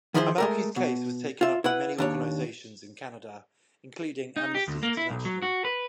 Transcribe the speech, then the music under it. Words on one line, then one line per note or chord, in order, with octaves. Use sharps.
Almalki's case was taken up by many organizations in Canada, including Amnesty International.
D#3 F3 E4 G#4 B4 C5
G#3 A3 A#4
B2
F4 E5
E4 B4 F#5
D#2 D4 C#5
D#4
G4
D2
A#3
E4
B1
F#3
F#4
B4